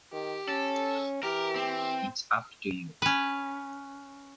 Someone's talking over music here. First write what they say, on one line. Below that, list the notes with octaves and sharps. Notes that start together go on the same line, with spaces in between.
It's up to you.
D#3 G4
C#4 A4
E3 G4 A#4
C4
C#4 B4